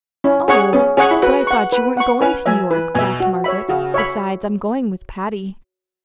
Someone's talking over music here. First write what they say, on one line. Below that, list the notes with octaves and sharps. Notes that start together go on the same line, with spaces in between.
"Oh, but I thought you weren't going to New York," laughed Margaret. "Besides--I'm going with Patty."
C#4 E4
C#4 G#4 C#5 F#5 C#6
B3 C#4
C#4 G#4 C#5 F#5 C#6
E4
F#4 B4
F#5 C#6
B4
F#5 C#6
C#4 B4
F#3 E5 G#5
E3 B4
B2 E5 G#5
F#4
C#5 E5 B5
C#3 F#4
C#5 E5 B5